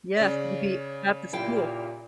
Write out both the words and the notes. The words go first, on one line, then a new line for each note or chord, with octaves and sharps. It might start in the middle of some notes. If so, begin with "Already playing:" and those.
Yes, you'd be at the school.
C#3 C#5 D5
A#2 E4 G4 F5 G5